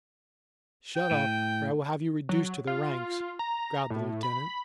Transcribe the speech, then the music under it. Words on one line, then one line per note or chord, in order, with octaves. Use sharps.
"Shut up, or I will have you reduced to the ranks," growled the Lieutenant.
G5
A2
F#3
F4
A#5
A2
B5